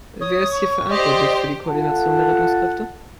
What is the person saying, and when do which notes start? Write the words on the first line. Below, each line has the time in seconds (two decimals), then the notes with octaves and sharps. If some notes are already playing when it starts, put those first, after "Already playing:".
Wer ist hier verantwortlich für die Koordination der Rettungskräfte?
0.21 C#5 D#6
0.50 C#6
0.90 G4 C5 D5 D#5 C6
1.66 F4 A4 F#5 A5